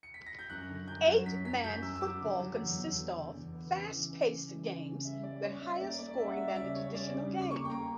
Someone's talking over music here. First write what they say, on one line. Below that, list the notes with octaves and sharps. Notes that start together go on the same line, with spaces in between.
Eight-man football consists of fast-paced games with higher scoring than the traditional game.
C#7
B6
A#6
G6
F#2 F#6
D3
F#2 G6
F#3
F#2 B6
F#2 B6
F#2 G6
F#2 E6
E6
F#3 D6
D3
F#3
E2
E2
D3
D3
E2
B3
C#3
E3
C#3
C#3
E3
C#3
C#3
G3 E5
G3 D5
C#4 C#5
C#4 E5
A#3 D5
A#3 D5
D5
C#4 E5
F#5
G3 E5
D5
C#3 E5
G3 C#5
C#3 D5
G3
C#3
D6
A#3 C#6
G5
A#3 A#5